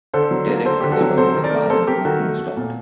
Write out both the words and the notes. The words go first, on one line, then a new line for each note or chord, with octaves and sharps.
Derek got out of the car and the movement stopped.
D3 A4 C5
F#3
A#3
D3 A4 C5
D3 G4
F#4 A4
F#3
C3 A4 C5
D#3
A#4 D5
A3
A#4
C3 A4 C5
C3 G4 A#4
D#3 F#4 A4
A3
A3
A#2